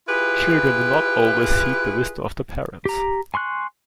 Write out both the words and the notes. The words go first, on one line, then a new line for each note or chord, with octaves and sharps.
Children do not always heed the wisdom of their parents.
E4 F4 G4 G#4 B4
G4 A#5
G#5 C6 C#6 F#6